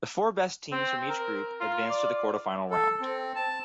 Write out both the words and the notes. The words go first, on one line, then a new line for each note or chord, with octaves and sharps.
The four best teams from each group advanced to the quarterfinal round.
C4
A#4
F4
D5
A4
C4
A5